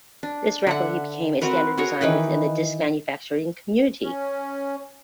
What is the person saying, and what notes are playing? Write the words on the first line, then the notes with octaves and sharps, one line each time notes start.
This rapidly became a standard design within the disk manufacturing community.
D4
D3 E5 F#5
C4 F#4 A#4 B4
F#4 G#4 A#4 C#5
D#3 E3 B4 G5
C#4